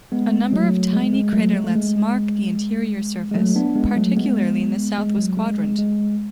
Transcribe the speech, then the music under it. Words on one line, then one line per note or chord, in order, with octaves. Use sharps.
A number of tiny craterlets mark the interior surface, particularly in the southwest quadrant.
G#3 B3
F#3 A3
G#3
G#3
F#3 A3
G#3
A3
G#3
G#3
F#3 A3
B3 D4
G#3 B3
F#3 A3
G#3 B3
G#3
F#3
G#3
G#3
G#3